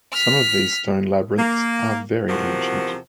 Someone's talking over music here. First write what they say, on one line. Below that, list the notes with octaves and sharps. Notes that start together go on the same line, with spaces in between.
Some of these stone labyrinths are very ancient.
F6 B6
A#3
E2 C3 F3 F#4 A#4 C5